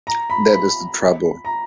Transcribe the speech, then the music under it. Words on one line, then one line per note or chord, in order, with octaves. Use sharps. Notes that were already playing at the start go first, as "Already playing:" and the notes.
That is the trouble.
A#5
B5
B5
A#5